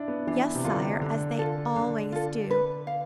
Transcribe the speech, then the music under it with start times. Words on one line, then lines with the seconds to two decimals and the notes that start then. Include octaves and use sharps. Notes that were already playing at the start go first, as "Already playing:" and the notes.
"Yes, sire, as they always do."
Already playing: D4 E4
0.08 B3
0.27 E3 D4
0.55 C3
0.64 D3 F4 A4
1.01 D3 D4
1.39 F4 A4
1.76 D3 D4
2.12 F4 A4
2.51 B4
2.87 F5